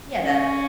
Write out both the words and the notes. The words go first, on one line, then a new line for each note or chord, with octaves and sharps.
Yeah, that
C#4